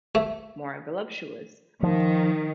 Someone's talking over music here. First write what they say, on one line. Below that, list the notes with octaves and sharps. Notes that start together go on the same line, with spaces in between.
more voluptuous,
A3
D#3 F3